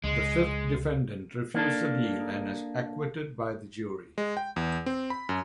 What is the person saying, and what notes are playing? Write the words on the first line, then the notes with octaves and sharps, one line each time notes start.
The fifth defendant refused the deal and was acquitted by the jury.
C#2 G#3
A#3 D4 A4
G#3
G5
E2
C4
B5
F#2